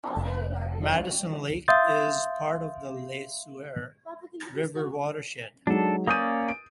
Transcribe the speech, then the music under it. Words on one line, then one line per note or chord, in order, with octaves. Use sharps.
Madison Lake is part of the Le Sueur River watershed.
F1
E5 F5 C6 D#6 G6 A6
F#3 G#3 D4 D#4 A4
A#3 C#4 D5 D#6 G6 D#7
D7